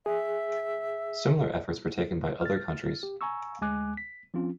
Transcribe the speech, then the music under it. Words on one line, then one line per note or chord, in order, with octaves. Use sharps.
Similar efforts were taken by other countries.
G#4 E5
F6 A6
G4
G#5 A#5 C#6 E6
D2 G#3 G#5 D6 F#6
B6
F3 C4 C#4 F4